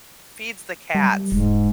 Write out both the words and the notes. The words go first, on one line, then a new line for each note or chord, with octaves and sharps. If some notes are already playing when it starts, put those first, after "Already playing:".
feeds the cats
G3
E1 G#2